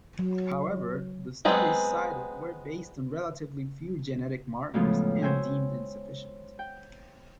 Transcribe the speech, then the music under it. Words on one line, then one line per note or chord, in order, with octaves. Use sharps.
However, the studies cited were based on relatively few genetic markers and deemed insufficient.
F#3
F#3 G#3 B3 C4
F#2 A2 C#3 F3 G#3 B3
C5 C#5 E5 G5 G#5
G5